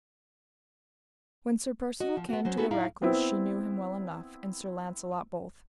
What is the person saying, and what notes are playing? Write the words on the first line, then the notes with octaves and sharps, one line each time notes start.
When Sir Percivale came to the recluse she knew him well enough, and Sir Launcelot both.
F#4 D#5
F3
B3 F#4
F#3 C#4 C5
B3 D#4 F#4 G#4 A4 B4
F2 A2 D#4 E4 F5 A#5
B3 C4 E4